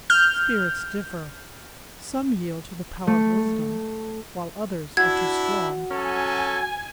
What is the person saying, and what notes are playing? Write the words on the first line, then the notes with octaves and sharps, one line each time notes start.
"Spirits differ; some yield to the power of wisdom, while others are too strong."
F6 G6
A3
D4 E4 F#4 F#5 G#6
F#3 C#4 A4 G#5